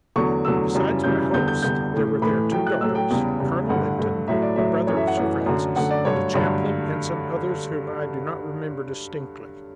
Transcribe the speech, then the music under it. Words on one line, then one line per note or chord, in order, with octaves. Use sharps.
Besides my hosts, there were their two daughters, Colonel Lynton, a brother of Sir Francis, the chaplain, and some others whom I do not remember distinctly.
E2 D3 F#3 A3 C#6
E2 D3 F#3 A3 E6
F#2 C#3 E3 G3
F#2 C#3 E3 G3 G6
E2 D3 G3 G6
G6
E2 D3 G3 G6
A2 E3 A3
A2 E3 A3 B5
A2 F#3 A3 G5
F#6
A2 F#3 A3 E6
G5
E2 C#3 G3
E2 C#3 G3
G2 D3 A3 F#5
G2 D3 A3
A2 F#3 A3 E5
D5
A2 F#3 A3 E5
F#2 E3 A3 C#5
E5
F#5
F#2 E3 A3
F#2 D3 A3
F#2 D3 A3 F#5
D5
G2 D3 F#3 A3 C#5
G2 D3 F#3 A3